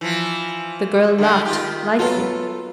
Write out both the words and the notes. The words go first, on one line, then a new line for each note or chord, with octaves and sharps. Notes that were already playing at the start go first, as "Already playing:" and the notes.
The girl laughed, lightly.
E3 F3
D3 G3 G#3
D#3 F4 G4
F#3 B3 F4 A4